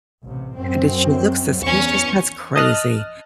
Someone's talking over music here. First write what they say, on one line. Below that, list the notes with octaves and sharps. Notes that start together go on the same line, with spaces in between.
Did she look suspicious? That's crazy.
A1 C3
F#2 C4
E2 C#4 C#6
D#5 A5 D#6 F6 F#6